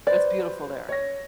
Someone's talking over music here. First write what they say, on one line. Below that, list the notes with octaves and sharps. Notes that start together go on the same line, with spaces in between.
It's beautiful there.
B4 C5 D5
C#5 A#6